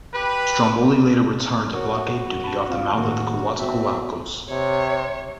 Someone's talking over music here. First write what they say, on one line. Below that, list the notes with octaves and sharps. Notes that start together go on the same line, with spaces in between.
"Stromboli" later returned to blockade duty off the mouth of the Coatzacoalcos.
G4 B4
F#4 A#4 C#5
A5 B5
C4 F4 F5
A2 D#3 A#3 F#4
B3 C4 F#4 E5
C3 C#5